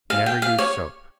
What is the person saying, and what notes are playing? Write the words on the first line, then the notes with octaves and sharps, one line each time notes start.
Never use soap.
F5
G5
F5
C#5